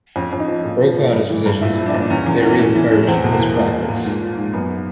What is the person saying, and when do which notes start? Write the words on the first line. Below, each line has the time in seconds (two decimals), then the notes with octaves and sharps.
Brokaw and his physicians are "very encouraged with his progress".
0.16 F2 C#4
0.33 F2
0.40 D#4
0.48 F3
0.65 A#2
0.81 F3
0.97 A#2
1.13 G2
1.29 E3
1.46 G2
1.61 A#2 E4
1.78 F3
1.86 D4
1.94 A#2
2.00 D4
2.10 E2 C#4
2.26 E2
2.43 E3
2.59 A2
2.75 E3
2.91 A2
3.07 E2 C4
3.24 B2
3.32 A#3
3.39 E2
3.56 A#2
3.72 F3
3.89 A#2
4.05 G#2
4.21 F3
4.37 G#2
4.53 F#2 B3